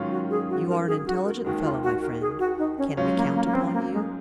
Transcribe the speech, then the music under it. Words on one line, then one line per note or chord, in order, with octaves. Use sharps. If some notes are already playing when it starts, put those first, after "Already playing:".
"You are an intelligent fellow, my friend; can we count upon you?"
Already playing: G#2 D#3 F#3 C#4 F4
F#4
G#4
F#4
A#4
G#4
F#4
A#4
D#2 D#3 G#3 F#4
F4
F#4
A#4
G#4
F#4
D#4
C#4
G#2 F#3 C#4 F4
A#3
A#3
A#3
C4
A#3
G#3